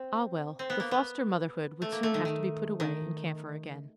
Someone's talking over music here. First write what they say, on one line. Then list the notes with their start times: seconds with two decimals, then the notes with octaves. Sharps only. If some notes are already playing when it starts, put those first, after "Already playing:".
Ah, well, the foster motherhood would soon have to be put away in camphor again.
Already playing: C4
0.59 C4
0.70 B3
0.80 A#3
0.91 B3
1.82 A3
1.92 A#3
2.03 A3
2.14 D#3
2.25 D#3
2.80 D#3